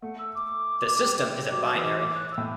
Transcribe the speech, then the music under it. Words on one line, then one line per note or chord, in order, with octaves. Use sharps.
The system is a binary.
A3 F#5
E6
D6
G3
F#3 D6
C#6
E3 E6
D6
D6
F#6
E6
A2